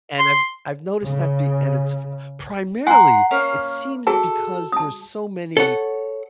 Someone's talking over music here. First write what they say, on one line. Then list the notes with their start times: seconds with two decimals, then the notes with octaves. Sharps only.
And I've I've noticed that the and it's f primarily, it seems because there's so many
0.19 C6
1.03 C#3
2.87 F#5 G#5 A#5 C6
3.31 A#3 C#4 F5
4.07 F#4 G#4 A4 A5
4.72 A5 D#6
5.57 A4 C#5 F#5